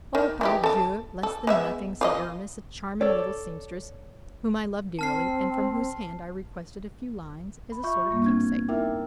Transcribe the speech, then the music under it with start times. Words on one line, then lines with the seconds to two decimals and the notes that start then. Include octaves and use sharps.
"Oh, pardieu, less than nothing," said Aramis; "a charming little seamstress, whom I love dearly and from whose hand I requested a few lines as a sort of keepsake."
0.15 D#3
0.41 E3 D#4 G4
0.64 A4 A5
1.23 A4
1.47 G#3 B3 E5
2.01 F4 D5 D#5
3.01 A4 C#5 D5
4.99 C4 A5 F6 C7
7.72 B5
7.84 F4 E5 C#6 G6
8.09 G#2 G3 A#3
8.22 B3 C4 D4 G#6
8.69 D#4 E4 A#4 E5 G5 D6